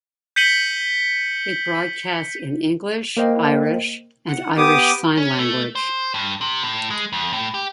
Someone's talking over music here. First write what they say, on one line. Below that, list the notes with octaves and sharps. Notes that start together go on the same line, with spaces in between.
It broadcasts in English, Irish and Irish Sign Language.
G6 B6 C#7 D#7 F#7 G7
A#3 A#4 C5 D#5 G5
F#5
B3 G4 D6 D#6
C#4
A3
C5
G2
C3
A2
G#3
F2
A2
G4